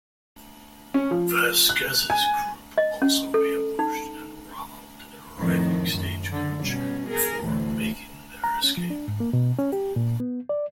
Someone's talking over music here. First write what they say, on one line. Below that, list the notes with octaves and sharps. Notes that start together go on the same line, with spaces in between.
Vasquez's group also ambushed and robbed an arriving stagecoach before making their escape.
C#4
F3
F#6
G#5
D#5
C#4
A4
D#4
F2 A2 D#3
F#2
D3
B2 G3 C#4
G#4 A#4
D2 A2 E3
A#5
C#4
F3
D4
G#2
A#3
B2
C#4
G4
A#2
B3
D5